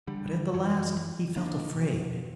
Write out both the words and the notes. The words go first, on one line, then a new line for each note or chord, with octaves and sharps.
But at the last he felt afraid.
D3 G3
F#2 E3 F3
D#3 A#3 D4
B2 F3